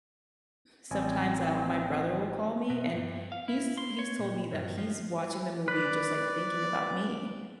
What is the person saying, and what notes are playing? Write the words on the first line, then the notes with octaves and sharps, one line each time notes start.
sometimes, I'll my brother will call me, and he's he's told me that he's watching the movie just, like, thinking about me.
A1 C4 G#5
B2
G2
F5
E4
C6
C#5
A#2
G2
F3
B4 D5